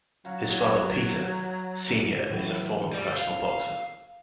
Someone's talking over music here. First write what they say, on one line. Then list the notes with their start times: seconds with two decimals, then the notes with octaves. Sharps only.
His father Peter, Senior is a former professional boxer.
0.25 F#3 F#4 F5 A#5
2.29 A2 E3 F#3
2.93 G3
3.17 F5